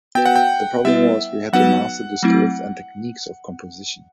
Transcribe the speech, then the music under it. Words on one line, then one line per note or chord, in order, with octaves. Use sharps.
The problem was, we had to master the skills and techniques of composition.
B3 F#4 B4 G5
F#5
G5
G3 B3 E4 B4 E5
F#3 B3 D#4 F#4 B4 F#5
F#3 A3 C4 E4